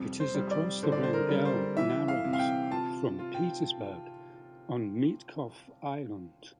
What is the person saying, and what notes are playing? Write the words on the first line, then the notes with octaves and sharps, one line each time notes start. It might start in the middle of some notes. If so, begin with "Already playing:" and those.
It is across the Wrangell Narrows from Petersburg on Mitkof Island.
Already playing: F2 C3 G3
C5
G3
D5
D3 C5
D5
C5
A#4
G3
C5
E3 E5
F5
C3
F5
G5
F4 A5
F4
G5